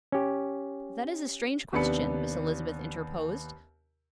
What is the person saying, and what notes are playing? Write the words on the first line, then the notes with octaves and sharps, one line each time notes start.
"That is a strange question," Miss Elizabeth interposed.
C#4 G4
D#2 C3 B3 D4 B5 C#7